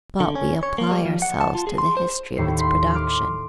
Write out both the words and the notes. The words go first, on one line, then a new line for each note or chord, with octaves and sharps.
But we apply ourselves to the history of its production.
D3
C#4
C#5
A#3
G3
F3
F#5
A5
F4
G#4
C6
C5
D#2 A2 C7 C#7
B5 C6
C6 D6 F6